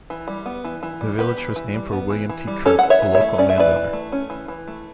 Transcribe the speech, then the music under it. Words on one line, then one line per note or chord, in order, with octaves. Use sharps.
The village was named for William T. Kirk, a local landowner.
E3
G3
B3
E3
E3
G3
B3 G4 B4
E3
E3
G3
B3
E3
E3
G3
C#4 A4 C#5
E3 F#5
C#5 E5
E3
C#5 E5
A3
C#4 D5
E5
E3 B4 D5
E3
A3
C#4
E3
E3
A3